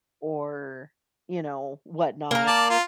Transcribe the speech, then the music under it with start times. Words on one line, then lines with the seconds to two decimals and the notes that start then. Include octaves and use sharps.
or, you know, whatnot,
2.31 A#3 A#4
2.47 D5 A5
2.70 F4